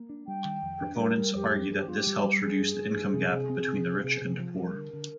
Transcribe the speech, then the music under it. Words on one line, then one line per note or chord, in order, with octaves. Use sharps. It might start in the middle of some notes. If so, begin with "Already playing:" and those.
Proponents argue that this helps reduce the income gap between the rich and poor.
Already playing: A#3
D4
G3 G5
D#3
F2
D4
G3 A#4
G3
F2 G4
G3
G2 G#4
G4
G2 F4
G4
G3
G3
G2 G#4
G2
G2
G2
C3
C3
C4
C3
C3
C3
C3
F3
G3 A#4
D3
D3